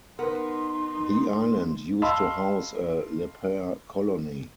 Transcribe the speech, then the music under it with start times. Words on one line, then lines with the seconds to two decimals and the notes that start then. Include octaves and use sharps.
The island used to house a leper colony.
0.19 B3 D#4 A#4 B4 C6
2.02 D#5 F5 A5 B5 C6 E6